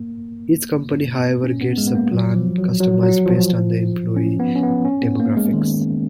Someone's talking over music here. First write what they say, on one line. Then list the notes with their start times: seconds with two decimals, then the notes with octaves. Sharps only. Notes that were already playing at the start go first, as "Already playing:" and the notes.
Each company however gets the plan customized based on the employee demographics.
Already playing: A#3
1.44 C#4
1.61 B3
1.78 G#3
1.87 B3
1.95 A#3
2.12 F#3
2.35 F3
2.58 F#3
2.80 F#3
3.03 F#3
3.26 F3
4.16 C#4
4.40 B3
4.55 C#4
4.63 B3
4.85 C#4
5.02 B3
5.20 A#3
5.37 G#3
5.53 D#3